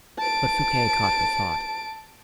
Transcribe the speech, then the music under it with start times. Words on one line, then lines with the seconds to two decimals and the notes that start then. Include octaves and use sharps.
But Fouquet caught her thought.
0.18 A5 D7